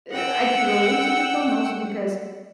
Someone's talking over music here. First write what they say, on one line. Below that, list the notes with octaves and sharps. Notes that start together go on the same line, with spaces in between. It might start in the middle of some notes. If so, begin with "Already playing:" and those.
eh, I can relate to the film mostly because
F#5 G5 E6